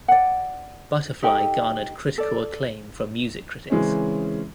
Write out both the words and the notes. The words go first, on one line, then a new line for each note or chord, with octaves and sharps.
"Butterfly" garnered critical acclaim from music critics.
D5 F#5
D#4 G4 A4 G5
A4 D5
C#3 E3 G#3 C4 C#4